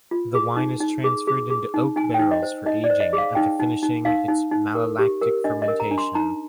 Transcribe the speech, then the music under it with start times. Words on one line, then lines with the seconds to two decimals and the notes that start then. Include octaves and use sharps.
The wine is transferred into oak barrels for aging after finishing its malolactic fermentation.
0.11 F4
0.35 G#4
0.57 D#4
0.80 D#4
1.04 G#4
1.27 G#4
1.50 G#4
1.74 D#4
1.96 D#4 G#5
2.14 D#4 G5
2.31 D#5
2.42 C5
2.66 D#4 D#5
2.84 D5
2.90 C5
3.00 D#5
3.13 G#4
3.18 F5
3.35 D#4 G5
3.60 D#4
3.83 D#4
4.05 D#4 F5
4.28 D#4
4.51 D#4
4.75 A#4
4.99 G4
5.22 A#4
5.44 D4 D#5
5.62 D#5
5.68 A#4
5.80 A#5
5.91 D4
5.98 C6
6.15 D#4 A#5